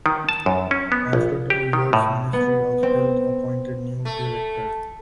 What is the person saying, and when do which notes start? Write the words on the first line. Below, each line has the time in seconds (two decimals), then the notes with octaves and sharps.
After two years ministry of health appointed new director.
0.06 D#3
0.29 A5
0.46 F#2
0.71 C#4
0.92 B3
1.13 A#1
1.50 G4
1.73 D#3
1.93 A2
2.33 B3
2.83 C4
4.05 A3